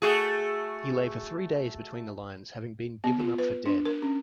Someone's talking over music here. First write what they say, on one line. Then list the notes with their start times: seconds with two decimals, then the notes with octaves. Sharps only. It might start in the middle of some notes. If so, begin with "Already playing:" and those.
He lay for three days between the lines having been given up for dead.
0.02 A3 F#4 G#4
3.04 B3
3.20 F4
3.38 B4
3.66 D4
3.85 A#4
4.02 C#4